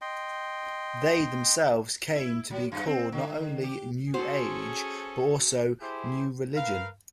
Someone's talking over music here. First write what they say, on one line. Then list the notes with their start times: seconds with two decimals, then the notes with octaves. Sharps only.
They themselves came to be called not only "New Age" but also "new religion".
0.01 D#5 G5 C6
2.15 E4
2.50 F#3
2.72 F#2
2.86 C4
3.12 D3
3.64 G4
4.14 C#4 F#4 G#4 A4 C5
5.80 E4 G4 G#4 C5
6.55 A#4 B4 F5